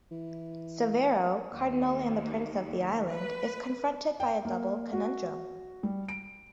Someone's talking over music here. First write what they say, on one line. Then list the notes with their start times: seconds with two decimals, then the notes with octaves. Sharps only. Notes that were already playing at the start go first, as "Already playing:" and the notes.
Severo, Cardinal and Prince of the island, is confronted by a double conundrum.
0.11 E3
1.52 D#2
3.11 B4
4.20 G5
4.45 A#3
4.93 F#4
5.83 G3
6.09 D7